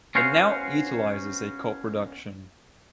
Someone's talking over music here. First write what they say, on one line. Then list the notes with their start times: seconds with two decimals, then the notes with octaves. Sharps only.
It now utilizes a co-production.
0.15 B3 C#4 F#4 C5 F5